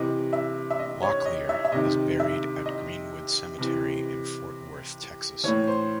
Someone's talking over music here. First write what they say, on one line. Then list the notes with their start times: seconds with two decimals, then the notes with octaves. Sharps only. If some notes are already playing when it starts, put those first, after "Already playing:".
Locklear is buried at Greenwood Cemetery in Fort Worth, Texas.
Already playing: C3 E3 D#5
0.33 E5
0.70 E5
0.79 D#5
1.02 C#5
1.25 D#5
1.49 E5
1.65 E5
1.72 C3 D#3 D#5
2.20 E5
2.66 D#5
3.58 C3 E3
5.44 A2 E3 C#5
5.67 C5